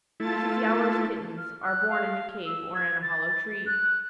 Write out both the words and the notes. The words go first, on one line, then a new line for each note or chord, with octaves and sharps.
Mrs. Yowler's kittens are born in a cave or in a hollow tree.
A3 E4 F4 A5 A6
F6
F#6
F5
E6
G#6
A6
F#6